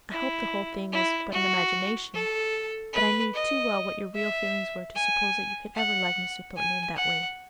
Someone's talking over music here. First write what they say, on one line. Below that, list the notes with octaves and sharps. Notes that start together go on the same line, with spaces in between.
I hoped the whole thing was but an imagination; but I knew too well what your real feelings were to suppose that you could ever like Mr. Thornton in that way.
E4
E4
F#4
A4
B4
D#5
E5
G#5
F#5
G#5
F#5